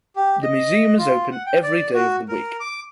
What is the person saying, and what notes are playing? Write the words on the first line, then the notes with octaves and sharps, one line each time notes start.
The museum is open every day of the week.
G4
D#5
F4
F#5
G5
D5
F#4
A#4
D6